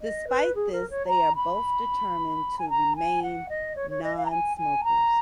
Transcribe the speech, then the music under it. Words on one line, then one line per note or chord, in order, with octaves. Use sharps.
Despite this, they are both determined to remain non-smokers.
D#5
B4
G#4
A#4
C#5
A#5
B5
G#5
A#5
G#5
F#5
D#5
C#5
C#5
D#5
F5
A#5
G#5
G#5
A#5